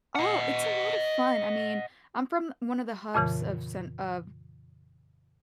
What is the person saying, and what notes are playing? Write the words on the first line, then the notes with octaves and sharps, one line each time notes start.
Oh, it's a lot of fun, I mean, I'm from one of the hubs of cen of
D#5 F#5
F2 A#2 C#3 E3